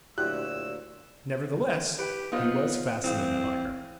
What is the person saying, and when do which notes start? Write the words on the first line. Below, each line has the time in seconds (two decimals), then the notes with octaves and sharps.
Nevertheless, he was fascinated by her.
0.18 D2 A#2 F#3 E4 F#4 G4 E6 F#6
1.99 G4 B4
2.32 B3 D#4 F4 C5
3.04 E3 C4 G#4 F5